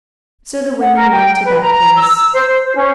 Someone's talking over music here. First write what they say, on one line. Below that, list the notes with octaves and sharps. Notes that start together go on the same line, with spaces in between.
So the women went to that place.
F#5
A#4
G5
B4
A#5
A#5
E6
C5
C5
C#4